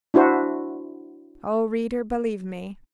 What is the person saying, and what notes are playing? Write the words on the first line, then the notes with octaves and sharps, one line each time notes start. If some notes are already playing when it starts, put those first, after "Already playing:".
Oh, reader, believe me!
D4 E4 F#4 C5